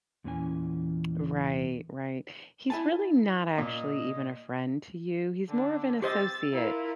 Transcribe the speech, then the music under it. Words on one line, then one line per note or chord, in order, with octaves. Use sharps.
Right. Right. He's really not actually even a friend to you. He's more of an associate,
E2 A#2 E3 C#4 D#4 G#5
E4 G#5 A5
A#2 D#5
D3 D4
G4 C5 D#5 E6 A6
E4 F4 A#4